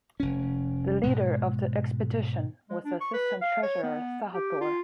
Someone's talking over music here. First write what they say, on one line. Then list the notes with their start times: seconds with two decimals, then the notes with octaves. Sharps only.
The leader of the expedition was the "assistant treasurer" Sahathor.
0.20 F1 C#4
1.03 G#2 B2 G#3
2.70 G#3
2.85 D4
3.01 C#6
3.14 B4
3.42 F5
3.63 C#5
3.83 B3
4.34 G4
4.61 F4